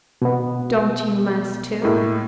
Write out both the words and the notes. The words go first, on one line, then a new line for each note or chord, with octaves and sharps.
"Don't you mass, too?"
B2 B3
A2 G#3 A#3